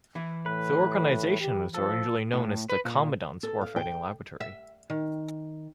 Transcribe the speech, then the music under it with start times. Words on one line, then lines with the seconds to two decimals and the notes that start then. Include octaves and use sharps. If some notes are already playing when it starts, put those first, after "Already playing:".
The organization was originally known as the Commandant's Warfighting Laboratory.
0.15 E3 E4
0.46 A2 B4
1.41 G4
1.74 F3 A4
2.33 A2
2.70 B4
2.85 A#2
3.43 A4
3.61 F5
3.76 G5
4.41 E5
4.90 D#3